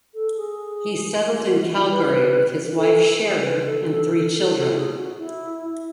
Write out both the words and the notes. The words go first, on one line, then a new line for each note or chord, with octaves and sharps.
He settled in Calgary with his wife Sherrie and three children.
A4
G#4
F#4
E4
B4
A4
G#4
B4
A4
A4
A4
A4
A4
G#4
F#4
E4